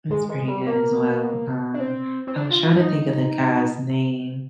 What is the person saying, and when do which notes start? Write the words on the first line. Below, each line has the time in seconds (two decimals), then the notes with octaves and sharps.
It's pretty good, as well. Um, I was trying to think of the guy's name.
0.10 G#3
0.29 G#3
0.48 G3
0.66 A#3
1.74 D4
1.80 C4
2.27 C4
2.36 D4
2.50 F4
2.64 F4
2.78 D#4